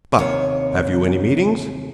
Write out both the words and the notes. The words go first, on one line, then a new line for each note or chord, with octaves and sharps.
But, have you any meetings?
D#2 C3 A#3 C#5